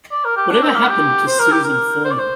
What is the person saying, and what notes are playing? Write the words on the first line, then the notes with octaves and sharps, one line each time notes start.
Whatever Happened to Susan Foreman?
D5
A#4
G4
D4
C4
A#3
G4
C5
A#4
G4
A#4
C5
D5
C5